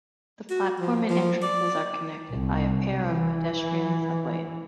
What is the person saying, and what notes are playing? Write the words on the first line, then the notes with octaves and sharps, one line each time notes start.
The platforms and entrances are connected by a pair of pedestrian subways.
F#4
F3
F3
D5
C2
E3